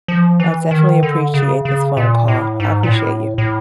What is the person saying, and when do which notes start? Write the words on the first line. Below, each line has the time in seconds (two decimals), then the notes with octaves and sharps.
I definitely appreciate this phone call, I appreciate you.
0.08 F3
0.40 E3
0.71 D#3
1.03 D3
1.34 C#3
1.65 C#3
1.97 A#2
2.28 A2
2.60 G#2
2.83 A#2
2.91 A2
3.38 A2